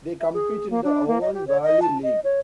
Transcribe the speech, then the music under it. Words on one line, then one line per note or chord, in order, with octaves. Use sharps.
They compete in the Avon valley league.
E5
G#4
A#3
D4
A#3
D#5
G4
C#5
D#5
A5
D#5
C#5